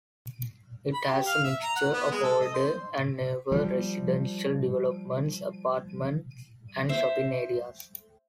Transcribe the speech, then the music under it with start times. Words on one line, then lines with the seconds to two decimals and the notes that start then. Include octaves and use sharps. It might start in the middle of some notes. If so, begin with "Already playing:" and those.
It has a mixture of older and newer residential developments, apartments, and shopping areas.
0.94 B5
1.07 G4
1.26 F5
1.44 E5
1.62 A#5
1.76 F#5
1.94 B3
2.11 G#3
2.23 A4
2.40 D#5
2.54 C5
3.52 F3 G3
6.89 C5 E5